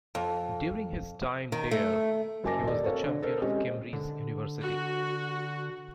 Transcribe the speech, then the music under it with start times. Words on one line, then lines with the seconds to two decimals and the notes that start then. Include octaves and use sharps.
During his time there, he was the champion of Cambridge University.
0.15 F2
1.52 D#3
1.71 A3
2.44 F#1 F#2 G#5 A5 D6 A#6
2.67 D#2 A4 D5
2.83 C4 A4 A#4 C#5 F5
3.04 D3
3.22 A4 A#4 C5
3.42 G#3 C4 C#4 G4 D#5
3.93 D3
4.61 F#4